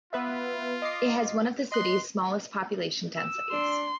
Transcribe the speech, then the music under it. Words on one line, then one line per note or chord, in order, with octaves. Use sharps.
It has one of the city's smallest population densities.
B3 F4 B4 E5
D#5 D6 C7
D#5 C6 F#6
E6
D4 C6